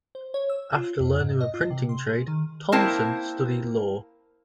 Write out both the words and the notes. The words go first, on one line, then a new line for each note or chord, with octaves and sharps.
After learning the printing trade, Thompson studied law.
C5
C#5
E6
F4
F2
G#2
D#5
F4
C3
C6
G#4
D#3
A#3 C4 E4 A#4 C5 A5